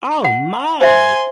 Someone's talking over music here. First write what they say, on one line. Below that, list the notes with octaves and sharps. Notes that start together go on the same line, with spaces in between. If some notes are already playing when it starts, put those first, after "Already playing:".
Oh my!
F#5
C5 E5 G#5 C6